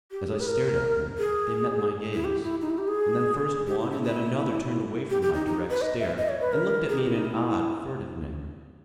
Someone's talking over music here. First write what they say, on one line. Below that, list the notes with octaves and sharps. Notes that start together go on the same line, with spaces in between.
As I stared at them, they met my gaze; and then first one and then another turned away from my direct stare, and looked at me in an odd, furtive manner.
G4
G#4
B4
A#4
G#4
E4
G4
E4
D#4
E4
G4
G#4
G4
E4
E4
E4
G4
G4
D#4
D#4
B4
D#5
E5
D#5
C#5
B4
A#4
G#4
G4
E4
D#4
E4